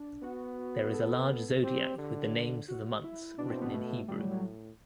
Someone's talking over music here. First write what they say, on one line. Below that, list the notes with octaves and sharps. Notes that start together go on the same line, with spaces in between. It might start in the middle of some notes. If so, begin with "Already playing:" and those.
There is a large Zodiac with the names of the months written in Hebrew.
Already playing: D4
B3 F#4
A4
C4 G4
D3
F#4
E4
B2 D4
C4
B3
A3
A2 G3
F#3
F#3